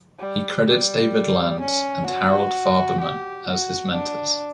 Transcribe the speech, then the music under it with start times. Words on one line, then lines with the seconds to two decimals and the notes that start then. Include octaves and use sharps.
He credits David Landes and Harold Farberman as his mentors.
0.19 G3
0.66 G3
1.60 C#4
2.07 F#4
3.00 G4
3.47 F#4
3.94 D4